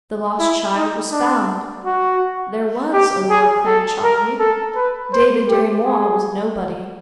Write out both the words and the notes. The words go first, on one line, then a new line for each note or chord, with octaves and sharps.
The lost child was found. There was a Lord Clancharlie; David Dirry-Moir was nobody.
E4
D#4
D4
F#4
G4
G#4
A4
A#4
A4
B4
C5
G4
G#4